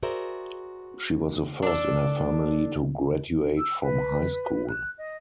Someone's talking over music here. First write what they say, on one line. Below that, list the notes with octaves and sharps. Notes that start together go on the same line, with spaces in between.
She was the first in her family to graduate from high school.
F#4 G#4 A#4 C5 D5 E5
D4 A4
E6
B4
F#6
D#5